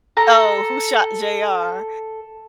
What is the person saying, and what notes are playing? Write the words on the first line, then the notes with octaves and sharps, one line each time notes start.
Oh, "Who shot JR?"
A4 A#5